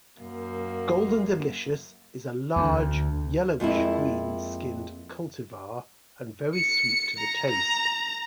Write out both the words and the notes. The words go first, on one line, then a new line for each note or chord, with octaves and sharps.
Golden Delicious is a large, yellowish-green skinned cultivar and very sweet to the taste.
F#2 A#3
D2
F2 G#3 A#3 E4
C#7
A#5
A#5